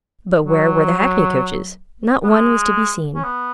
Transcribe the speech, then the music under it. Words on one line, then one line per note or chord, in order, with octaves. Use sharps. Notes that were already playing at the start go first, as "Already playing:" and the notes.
But where were the hackney-coaches? Not one was to be seen.
F#3
B3
G#3
C#4
B3